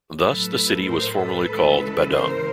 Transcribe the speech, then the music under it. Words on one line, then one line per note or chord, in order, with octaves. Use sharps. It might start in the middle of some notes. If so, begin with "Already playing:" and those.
Thus, the city was formerly called Badung.
A2 F#3 A4 B4
A#4 C5
A4 B4
C#3 E3 G#3
A#4 C5